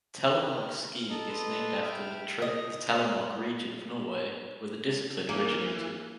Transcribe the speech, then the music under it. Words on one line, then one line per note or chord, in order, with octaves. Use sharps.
Telemark skiing is named after the Telemark region of Norway, where the discipline originated.
G4
F6
A4 D#5 A#5
A4 B4 D#5 C6
E5 G5 B5 F6
D#5
E3 A#3